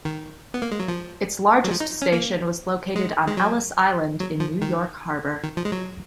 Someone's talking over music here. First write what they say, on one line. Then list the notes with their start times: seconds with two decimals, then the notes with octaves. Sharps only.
Its largest station was located on Ellis Island in New York harbor.
0.05 D#3
0.54 B3
0.62 A#3
0.71 G#3
0.79 F#3
0.88 F3
1.64 F#3
1.71 F3
1.80 D#4
2.02 C#4
2.12 A#3
2.96 G#3
3.27 G#3
3.37 F#3
4.20 F#3
4.40 F3
4.62 D#3
5.43 D#3
5.57 F3
5.65 G#3
5.72 F#3